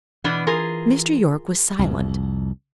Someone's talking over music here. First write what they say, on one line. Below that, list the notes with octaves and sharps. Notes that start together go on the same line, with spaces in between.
Mr. Yorke was silent.
B2 E3 B3 D4
F4 G#4 A#4
C2 F2